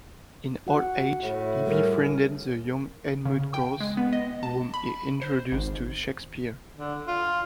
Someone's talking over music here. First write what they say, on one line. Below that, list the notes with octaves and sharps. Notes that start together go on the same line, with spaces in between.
In old age he befriended the young Edmund Gosse, whom he introduced to Shakespeare.
F#4 F#5
A2
G3 G#4 A#4
C#3
G5
G#3
B3
D#5
A5
B5
C5
G#1
D3
F4